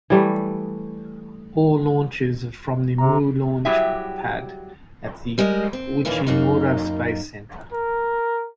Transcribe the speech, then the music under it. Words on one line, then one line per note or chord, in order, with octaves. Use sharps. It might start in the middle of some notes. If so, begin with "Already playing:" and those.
All launches are from the Mu Launch Pad at the Uchinoura Space Center.
E3 G3 A3
C3 A#5
F#3 G3 E4 G4 G#4 E5
G3 G#3 A#4 C#5 D#5
C4
D#2 A#2 E3 A#3 C#4
F#2 A#3 D#4 A#5
A#4